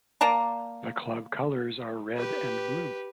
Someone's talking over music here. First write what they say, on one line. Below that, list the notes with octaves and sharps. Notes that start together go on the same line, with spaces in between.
The club colours are red and blue.
A#3 D5 A5 A#5
G4 B4